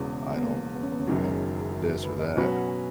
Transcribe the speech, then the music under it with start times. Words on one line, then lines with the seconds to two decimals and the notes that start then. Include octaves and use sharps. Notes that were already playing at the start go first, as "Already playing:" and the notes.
I don't you know, this or that."
Already playing: E1 E2 C#3 B3
0.38 B3
0.43 A#3
0.75 B3
0.83 C#4
0.92 B3
1.00 C#4
1.07 F#1 F#2 D#3 F#3 D#4
1.18 F#4
1.29 G#4
1.61 G#4
1.71 F#4
2.03 B4
2.19 D#5
2.36 B2 F#3 C#4 F#4 B4 E5
2.52 F#5
2.68 G#5